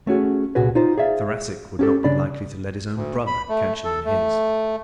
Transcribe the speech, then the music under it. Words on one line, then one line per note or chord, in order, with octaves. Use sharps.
A Thoracic would not be likely to let his own brother catch him in his!
A3 C#4 F#4 G#4
C2 A#2 F#4 G#4 B4
D#4 F4 C5
G#4 D5 E5 F5
C#4 G4 A4
C#3 D4 D5 B5
D2
B5
A3
A4
A3